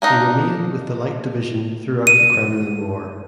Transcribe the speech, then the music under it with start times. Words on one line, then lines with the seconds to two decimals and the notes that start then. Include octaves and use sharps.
He remained with the Light Division throughout the Crimean War.
0.02 A#3 D4 D#4
2.07 D#7